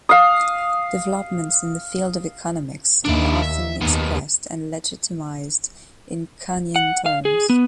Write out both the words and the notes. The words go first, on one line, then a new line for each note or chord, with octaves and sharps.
Developments in the field of economics are often expressed and legitimized in Kuhnian terms.
F5 D#6
D#2 D4 E4
E5
D#2 D#3 B3
F#5
F5
G#4
B3